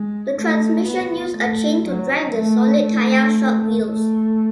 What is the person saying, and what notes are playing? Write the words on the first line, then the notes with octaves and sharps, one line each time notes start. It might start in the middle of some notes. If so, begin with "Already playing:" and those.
The transmission used a chain to drive the solid tyre shod wheels.
Already playing: G#3
A3
B3
A3
F#3
A3
A3
A3